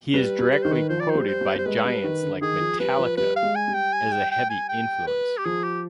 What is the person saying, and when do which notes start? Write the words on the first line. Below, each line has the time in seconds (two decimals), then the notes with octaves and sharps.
He is directly quoted by giants like Metallica as a heavy influence.
0.14 G3 B4
0.39 G3
0.51 B4
0.63 D#3 C5
0.73 B4
0.89 F3 C5
1.00 D5
1.10 G3 C5
1.28 C5
1.41 G3
1.55 G3 C5
1.66 G#3 B4
1.85 G3
2.04 D#3
2.23 D3
2.41 D#3 G#4
2.61 F3
2.80 G3 B4
2.98 F3
3.17 G3 B4
3.36 F5
3.43 G#3
3.56 G#5
3.68 G3
3.74 G5
3.93 G#5
4.12 G5
4.32 G5
4.50 G#5
4.69 G5
5.07 B4
5.38 G4
5.45 F3 G#4
5.64 G4